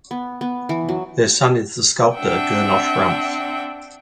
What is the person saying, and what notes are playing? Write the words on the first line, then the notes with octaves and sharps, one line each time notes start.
Their son is the sculptor Gernot Rumpf.
B3
B3
E3
F#3
C4 D4 E5 F#5 G5